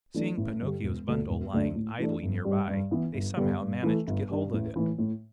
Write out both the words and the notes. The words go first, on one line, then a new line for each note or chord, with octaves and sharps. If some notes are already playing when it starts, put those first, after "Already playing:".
Seeing Pinocchio's bundle lying idle near-by, they somehow managed to get hold of it.
E3 A3 D4
A1
G2 D3 G3
E1
D2 D3 A3
E1
D2 D3 A3 D4
A2
E3 A3 D4
G1
G2 G3
G2
E3 B3 E4
G1
G2 D3 G3 B3
G2
E3 A3
G1
G2 G3 D4
A1
A2 E3
A2